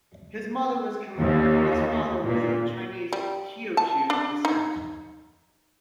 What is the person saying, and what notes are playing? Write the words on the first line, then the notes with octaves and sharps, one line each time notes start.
His mother was Khmer and his father was of Chinese Teochew descent.
D#2
A#2
G3
A5
D4
D#4